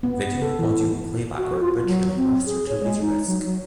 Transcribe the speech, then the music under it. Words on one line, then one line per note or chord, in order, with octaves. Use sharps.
Video and audio playback were originally mastered to laserdisc.
B3
A4
E3
F#4
F4
F4
F#3
C4
G#4
C#5
G#3
D#4
F#3
F#3